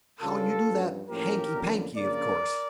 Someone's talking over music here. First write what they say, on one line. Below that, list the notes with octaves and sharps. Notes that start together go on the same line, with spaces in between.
"How you do that hanky-panky, of course."
C#2 C#3 G3 D4 F4 A4
G2 F3 C#4
A2 F3 A#3 C#4 G4 A#4
F2 D3 F3 A#3 C#4
C#3 F3 A#3 D4 A#4 D5